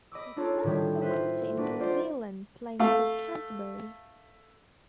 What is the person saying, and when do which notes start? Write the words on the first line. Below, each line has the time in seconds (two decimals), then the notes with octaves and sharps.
He spent the winter in New Zealand playing for Canterbury.
0.12 D#5 B5 D6 E6
0.36 D4 D#4 F4 A4 C#5
0.64 A2 D#3 G3
1.01 F4 B4 C5 E5
1.57 A#3 D4 F#4 B4
1.80 F4 C5 D5 D#5
2.79 A3 F5